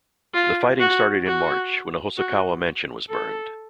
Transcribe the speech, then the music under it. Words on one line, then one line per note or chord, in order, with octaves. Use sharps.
The fighting started in March when a Hosokawa mansion was burned.
F4
F#4
F#4
F#4
A4